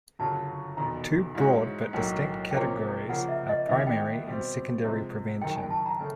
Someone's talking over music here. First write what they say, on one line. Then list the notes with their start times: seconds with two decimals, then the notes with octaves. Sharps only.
Two broad but distinct categories are primary and secondary prevention.
0.19 G1 F#2 C#3 F#3 A5
0.77 F1 E2 B2 A#5
1.35 G#2 E3 G#3 C#4 F#4
1.93 B1 A2 F#3 A#3 G#5
2.51 C3 F3 A#3 C#4 G5
3.09 C#3 F3 A#3 F#5
3.29 E5
3.49 D#5
3.68 D#2 D#3 G3 B3 E4 E5
3.87 G5
4.26 B2 G3 C4
4.84 C3 F3 G#3
5.42 F#1 F#2 D#3 G5
5.56 G#5
5.70 A5
5.86 A#5
5.99 C#3 A3 G#5